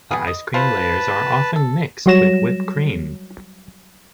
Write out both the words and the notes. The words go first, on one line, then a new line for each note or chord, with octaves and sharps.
The ice cream layers are often mixed with whipped cream.
G3 B3 G#4
D#5
E4 F4 B4 C5 A5
A4
F#3 G3 F#4 C#5 A#6 E7